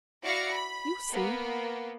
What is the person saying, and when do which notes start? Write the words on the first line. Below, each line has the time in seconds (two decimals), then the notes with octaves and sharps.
You'll see.
0.24 E4 F#4 D5 F5 A#6 C#7
0.53 B5
1.11 A#3 B3